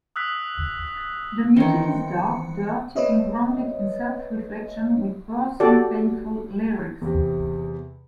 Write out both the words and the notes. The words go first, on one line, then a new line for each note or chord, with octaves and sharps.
The music is dark, dirty, and grounded in self-reflection, with piercing, painful lyrics.
D#6 E6 F#6 B6
D#3 E3 B3 C4 C#7
B3 B4 C#5 D#5 E5
F#4 G4 A4 D5
E2 C3